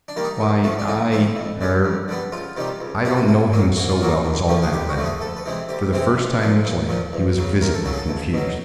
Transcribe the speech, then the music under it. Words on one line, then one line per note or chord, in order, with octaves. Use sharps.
"Why, I--er--I don't know him so well as all that, Letty." For the first time in his life he was visibly confused.
D4
D#3 G3 A#3
D#4
A2
F3 A3
D4
A2 D#4
F3 A3 E4
F2
D3 G3 B3
F2
D3 G3 B3
C#2 F4
C3 D#3 G3
C#2
C3 D#3 G3 F#4
F4
C2 E4
A#2 F#3 A#3 F#4
C2 F#4
F4
A#2 F#3 A#3 F#4
D#2
D3 F3 A3
G#4
D#2 G4
F#4
D3 F3 A3
G#4
D2 A4
B4
C3 E3 G#3 C4
D2 G4
C3 E3 G#3 C4
B1
A#2 F3
B1
A#2 F3
E2
C#3 F#3
E2 A#4
A4
C#3 F#3 A4
G#4
A4
C#2
B2 F#3